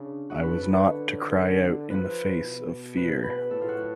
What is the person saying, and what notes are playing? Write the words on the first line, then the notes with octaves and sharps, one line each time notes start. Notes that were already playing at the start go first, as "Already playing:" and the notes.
I was not to cry out in the face of fear.
Already playing: C#3 D4
C#3 F#4
A4 B4
B4
D3 C#5
F3 B4
B2
B4
B4
A2 A4
F4
F#4